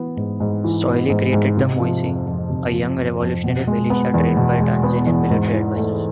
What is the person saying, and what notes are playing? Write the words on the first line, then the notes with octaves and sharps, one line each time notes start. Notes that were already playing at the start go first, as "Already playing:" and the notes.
Soilih created the 'Moissy', a young revolutionary militia trained by Tanzanian military advisers..
Already playing: E3 B3
G#2
G#2
E3
B3
G#2
G#2
C3
F3
F2
F2
C3
F3
F2
F2
B2
G#3
B3
E2
B2
G#3
B3
E2
G#2
E3
A3